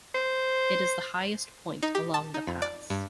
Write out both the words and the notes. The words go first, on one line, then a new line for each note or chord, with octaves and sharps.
It is the highest point along the pass.
C5
D#4
G4
A5
D#4
F2
D5
G2